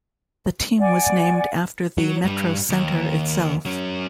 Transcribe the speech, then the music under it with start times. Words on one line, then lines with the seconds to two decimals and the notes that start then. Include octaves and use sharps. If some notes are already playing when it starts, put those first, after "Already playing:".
The team was named after the MetroCentre itself.
0.79 D5 F#5 G#5
1.98 F#3
2.25 G2 G3
2.70 D#2
3.65 F#3 C#4